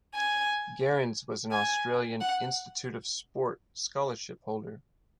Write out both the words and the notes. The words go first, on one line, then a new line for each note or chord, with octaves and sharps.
Gerrans was an Australian Institute of Sport scholarship holder.
G#5
G#5
F#5